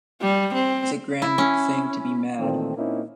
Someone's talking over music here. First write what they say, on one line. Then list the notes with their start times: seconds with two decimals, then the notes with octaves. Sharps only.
It’s a grand thing to be mad!
0.21 G3
0.54 C4
1.22 E4
1.38 C#4
2.39 A#2 D#3 E3 A3 C4
2.76 A#2 A#3 C4 C#4 D#4 E4